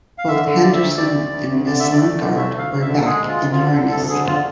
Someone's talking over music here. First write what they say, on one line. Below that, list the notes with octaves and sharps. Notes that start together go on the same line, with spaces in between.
Both Henderson and Miss Lingard were back in harness.
F5
D3 E5
D3
D2 D5
E5
D2
D2 D5
D2
D2
D2
D3 D5
D2 E5
D5
A3
D3
A3 E5
D2
F5
D2
E5
D3
A4
G#3 G#4
D2
F4
D2
D3 F4
D2 A4
D2 A4
D3 G#4
D3 F4